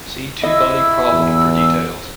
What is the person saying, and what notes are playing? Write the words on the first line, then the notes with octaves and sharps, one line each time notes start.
See two-body problem for details.
E4 D#5 E6
E2